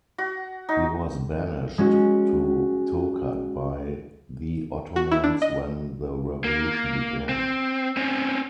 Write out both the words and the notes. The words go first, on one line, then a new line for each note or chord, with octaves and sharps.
He was banished to Tokat by the Ottomans when the Revolution began.
F#4
D#4
G#3 C#4 F#4
F#4
E4
D4
D#5
A#3
C4
C4 C#4